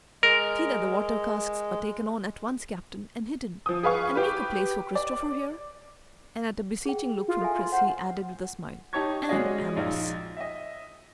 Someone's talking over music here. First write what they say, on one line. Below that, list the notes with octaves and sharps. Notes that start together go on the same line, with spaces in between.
"See that the water casks are taken on at once, Captain, and hidden, and make a place for Christopher, here," and at a beseeching look from Chris he added with a smile, "and Amos."
G#3 A#4
F3 D#6
G#4 B4 F5 C#6
G4 B4
D5
G#4 G5
F4
A4 E5 G#5
C6
C5 F#5
D#4 G4 C#5 A5 C#6 G#6
G#3 C#4 F#4 G#4 D5 D#5
A#1 D#4 F4
D#5 E5